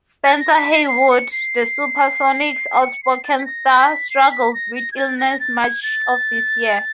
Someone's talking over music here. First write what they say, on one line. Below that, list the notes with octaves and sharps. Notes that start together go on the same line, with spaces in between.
Spencer Haywood, the SuperSonics' outspoken star, struggled with illnesses much of this year.
A6
A#6
B6
C7
B6
C7
C#7
C7
C#7
C7
A6
B6
A#6
B6
C7
B6
A#6
A#6
G#6
A6
A#6
A6
G#6
A6